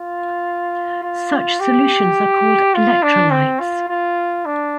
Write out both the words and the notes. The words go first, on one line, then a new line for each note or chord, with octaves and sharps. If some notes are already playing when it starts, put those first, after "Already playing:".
Such solutions are called electrolytes.
Already playing: F4
F4
G4
F4
D4
C4
F4
F4
D4